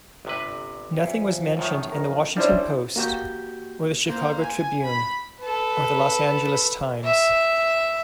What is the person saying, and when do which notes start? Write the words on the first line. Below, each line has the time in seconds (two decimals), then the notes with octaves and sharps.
Nothing was mentioned in the Washington Post...or the Chicago Tribune...or the Los Angeles Times.
0.25 G1 C3 B4
1.03 E2 F3
1.57 F#2 A2 D#3
1.92 F2 A#4
2.37 D2 G3 C#4 D4 E4 C5
2.96 A#3 F#4 G4 G6
4.06 A#3 C5
4.41 G#5
4.84 B5
5.41 A4 B4
7.04 E5